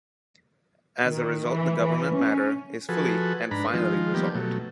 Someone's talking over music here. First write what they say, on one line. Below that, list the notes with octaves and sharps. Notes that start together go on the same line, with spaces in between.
As a result, the government matter is fully and finally resolved.
D#3
E3
E3
C#4
F3 F#4 G#4 A4 B4
G#2 D4 B4 A#5 B5
D#3 F3 G#3 F4
D#3 F3 G3 A#3 B3 G4
B2 F#3 A3